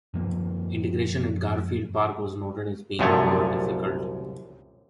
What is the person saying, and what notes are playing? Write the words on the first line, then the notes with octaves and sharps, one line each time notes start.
Integration at Garfield Park was noted as being more difficult.
F#2 F3 A#3
C2 F#2 A#2 F3 A3 C#5